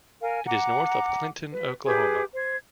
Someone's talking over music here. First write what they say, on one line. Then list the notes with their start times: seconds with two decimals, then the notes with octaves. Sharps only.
It is north of Clinton, Oklahoma.
0.21 A#4 F5 G#5
0.46 F#5 A#5 D6
1.52 B4
1.85 G4 G#4 B4 D6
2.33 C5 G#6